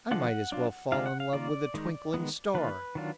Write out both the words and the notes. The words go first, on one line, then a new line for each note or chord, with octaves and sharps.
I might as well fall in love with a twinkling star.
D3 F3 G#3 D4 F4 F#5
F#3 D4 F4
D3 G#3 D4 F4 F5
F#5
F5
D#3 A#3 F4 D5
D#3 G#3 D#4
D#3 G#3 B3
D#3 A#3 F4 B4
D#3 F#3 D4 F4